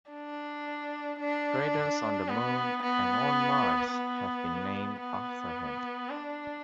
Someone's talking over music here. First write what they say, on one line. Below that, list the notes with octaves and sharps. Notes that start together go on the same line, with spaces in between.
Craters on the Moon and on Mars have been named after him.
D4
D4
B3
B3
B3
B3
D4